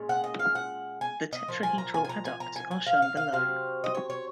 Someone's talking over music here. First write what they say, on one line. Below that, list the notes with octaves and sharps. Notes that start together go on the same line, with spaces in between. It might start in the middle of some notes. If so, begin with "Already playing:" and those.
The tetrahedral adducts are shown below.
Already playing: A#2 G#3 C#4
F#5
D#5
F5
F#5
G#5
D#5
A#2 F3
G#5
A#5
G#5
G#5
A#5
G#5
A#5
G#5
G#5
F5
F5
F5
C3 F#3 C4 F5
D#5
C#5
C#5